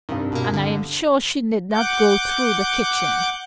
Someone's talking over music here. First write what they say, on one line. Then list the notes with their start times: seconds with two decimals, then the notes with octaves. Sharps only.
"And I am sure she did not go through the kitchen."
0.09 C2 G2 D#3
0.32 B2 A#3
0.53 D3
1.72 F#5 D6 G6